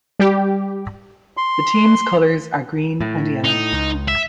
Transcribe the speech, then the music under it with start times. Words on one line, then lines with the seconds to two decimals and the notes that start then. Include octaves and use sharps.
The team's colors are green and yellow.
0.19 G3 G4
1.37 C6
3.01 A2
3.44 D#4
3.73 C#2
4.08 E5